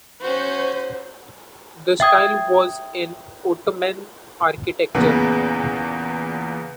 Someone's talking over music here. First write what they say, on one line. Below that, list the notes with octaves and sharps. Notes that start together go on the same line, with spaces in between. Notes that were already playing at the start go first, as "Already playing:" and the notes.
The style was in Ottoman architecture.
C#4 F#4 C5
E5 G5 D#6 G#6
E2 A#2 C#3 B3